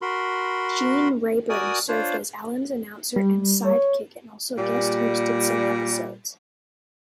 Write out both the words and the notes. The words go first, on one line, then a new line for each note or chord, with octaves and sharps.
Gene Rayburn served as Allen's announcer and sidekick and also guest-hosted some episodes.
F#4 A#4 B5 C6
F#4 A#4 D5 G#5 D#6
D4 F4 C5 C#5
G3
C#5
A#2 G3